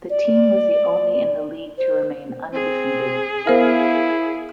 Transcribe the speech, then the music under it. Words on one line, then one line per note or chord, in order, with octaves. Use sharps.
The team was the only in the league to remain undefeated.
D5
C5
C4 G#4
B3 E4 A#4 C5 F5